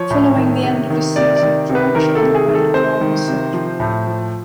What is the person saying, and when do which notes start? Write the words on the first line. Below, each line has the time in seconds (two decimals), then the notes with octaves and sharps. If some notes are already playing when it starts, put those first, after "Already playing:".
Following the end of the season, Crouch underwent groin surgery.
Already playing: F3 C#5
0.11 A2
0.36 D#3
0.63 C3
0.90 D#3
1.16 C3 D5
1.36 D5
1.43 D#3
1.69 C3
1.75 B4
1.95 D#3 A#4
2.15 A4
2.22 C3
2.35 G#4
2.48 D#3
2.55 A4
2.74 C3 C5
3.01 D#3
3.28 C3
3.54 F3
3.80 A2
4.07 F3